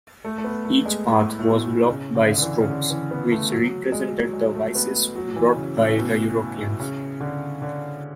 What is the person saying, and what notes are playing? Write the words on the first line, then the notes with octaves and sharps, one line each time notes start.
Each path was blocked by 'strokes' which represented the vices brought by the Europeans.
A3
A3
B3
A3
G#3
A2
A2
B2
C#3
D3
D3
E3
C#3
D3
E3
B3
A3
F#3
G#3
F#3
G#3
A3
B3
F#3
F#3
E3
C#3
A2
B2
C#3
D3
D3